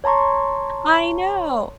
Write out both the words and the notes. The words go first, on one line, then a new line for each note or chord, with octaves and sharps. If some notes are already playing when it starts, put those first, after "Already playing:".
I know!
C#5 A5 A#5 C6 C#6